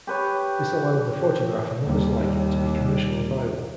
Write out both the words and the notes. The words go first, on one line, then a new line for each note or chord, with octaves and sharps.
This allowed the photograph and others like it to be commercially viable.
G4 B4 C#5
D#2 G3